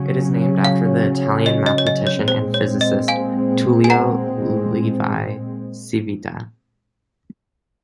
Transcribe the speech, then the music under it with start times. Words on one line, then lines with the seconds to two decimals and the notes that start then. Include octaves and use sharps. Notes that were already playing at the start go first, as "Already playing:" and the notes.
It is named after the Italian mathematician and physicist Tullio Levi-Civita.
Already playing: C#3 F#3 C#4
0.64 F5
1.46 D#5
1.66 D#5
1.78 C#5
1.87 D#5
2.07 C#5
2.27 A#2 G#3 C4 C5
2.54 C#5
2.81 D#5
3.08 F5 G#5
3.84 G#5
3.90 F#5 A#5